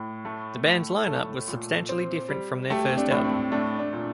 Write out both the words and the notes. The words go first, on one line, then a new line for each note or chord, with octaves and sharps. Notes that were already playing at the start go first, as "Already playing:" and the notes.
The band's line-up was substantially different from their first album.
Already playing: A2
A3
A2
A3 A4
A#2
C4
G3
A3 G4
C4
D4
A2
C4
A3 D4
D4
A#2